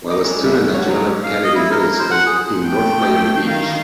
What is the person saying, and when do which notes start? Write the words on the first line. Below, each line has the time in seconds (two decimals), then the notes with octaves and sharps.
While a student at John F. Kennedy Middle School in North Miami Beach.
0.10 D#4 D6
0.24 G#3 C#4 D4
0.43 A1 G3 E5
0.63 C#2 A2
0.74 F#4 C#5
0.88 F3 F#3 G#3
1.24 F5
1.44 D#5
1.55 E4
1.71 A#4
1.83 A#4
1.99 C5
2.11 F#5
2.26 G#4
2.64 A3 G5
3.45 D#3 F5